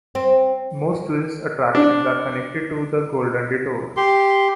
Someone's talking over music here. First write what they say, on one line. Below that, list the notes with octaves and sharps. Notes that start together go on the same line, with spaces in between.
Most tourist attractions are connected to The Golden Detour.
C4
D4
G4 C6